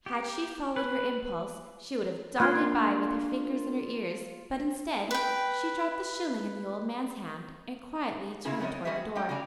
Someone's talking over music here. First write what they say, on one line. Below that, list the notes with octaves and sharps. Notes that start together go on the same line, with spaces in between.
Had she followed her impulse, she would have darted by with her fingers in her ears, but instead, she dropped the shilling in the old man's hand, and quietly turned toward the door.
G4
B4
A#3 D4 F4 C6 F6 F#6 G#6
B4 G5
C#3 E4 F4 G#4 B4
A3 B3 C4 A#4 C#5 D#5
G3 F#4 G#4 B4 D#5 E5
A#3 G4 D#5 G5
C#3 F#3 F#4 D5 G#5